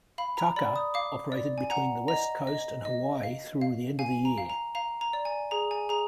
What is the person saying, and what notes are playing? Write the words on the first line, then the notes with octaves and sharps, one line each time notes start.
"Tucker" operated between the West Coast and Hawaii through the end of the year.
F5 B5
A#5
D5 B5
D#6
F5 D6
D5
G#5
F#5 A#5
D#5 A#5
D#5
D#5
F5
F5
F5 G#5
A#5
F5
A#5
F5 A#5
A#5
D5
G#5
G#4 A#5
G#5
G#4 A#5